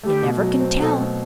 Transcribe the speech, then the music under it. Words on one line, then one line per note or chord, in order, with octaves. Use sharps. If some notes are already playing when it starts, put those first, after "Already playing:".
You never can tell.
A3 G4
B2
F#3
C4
B2 A4
A3